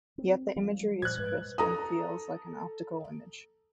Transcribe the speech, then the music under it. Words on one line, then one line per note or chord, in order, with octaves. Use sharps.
Yet the imagery is crisp and "feels" like an optical image.
C4
F3 G3 G#3
G3
A#2 F3 C5 F#6 G#6
G#2 G3 G#3 B4
A4 A#5 D#6